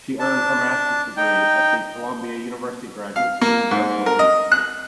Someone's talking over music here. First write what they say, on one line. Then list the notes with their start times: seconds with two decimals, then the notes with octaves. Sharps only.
She earned her master's degree at the Columbia University Graduate School of Journalism.
0.20 D4 A5
1.17 D#4 G5
3.16 F5
3.41 A#3
3.71 G#2
4.06 A#4
4.19 D#5
4.52 F#6